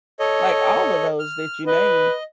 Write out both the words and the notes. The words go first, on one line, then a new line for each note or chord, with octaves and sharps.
Like, all of those that you named,
A4 C#5 D#5
F6
B4 D#5